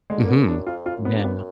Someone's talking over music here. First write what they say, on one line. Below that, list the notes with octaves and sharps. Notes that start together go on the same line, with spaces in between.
Mhm, yeah.
D3 G#3
A#3
B3
F#2
D4
F2 F4
F4
F#2
B3
D4
B3